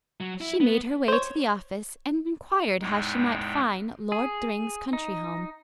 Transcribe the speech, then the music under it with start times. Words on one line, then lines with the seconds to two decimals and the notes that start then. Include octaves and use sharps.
She made her way to the office and inquired how she might find Lord Thryng's country home.
0.20 F#3
0.41 E4
0.60 B3
1.08 C5 C#5
2.81 E2 A2 G#3 D#4 G5
4.12 G#4
4.93 D#4